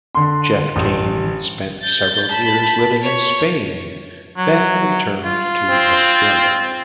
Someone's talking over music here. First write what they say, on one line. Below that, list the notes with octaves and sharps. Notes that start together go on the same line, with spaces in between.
Geoff Cain spent several years living in Spain, then returned to Australia.
D3 C6
A1
G6 A6
A5 B5
C#5
F#3
F4
C4